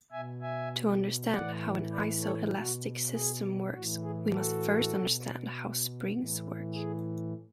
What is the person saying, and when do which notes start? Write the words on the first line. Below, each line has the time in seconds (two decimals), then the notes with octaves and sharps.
To understand how an iso-elastic system works, we must first understand how springs work.
0.12 B2 E5 G#5
0.42 E5 G#5
1.32 A2 E3 D5 F#5
1.92 B4 D5
2.22 A4 C#5
2.52 B2 F#4
3.13 G#4
3.73 A2 F#4
3.77 E3
4.02 G#4
4.32 F#4 A4
4.93 B2
6.14 A2 E3
6.74 G#4